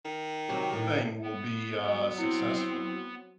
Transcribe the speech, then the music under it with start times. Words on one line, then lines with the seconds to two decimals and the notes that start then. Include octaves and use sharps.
thing will be, uh, successful?
0.05 D#3
0.49 C3 F#3 G4
0.73 A2
1.22 B3
1.83 F#3
2.18 C4 E4 C#7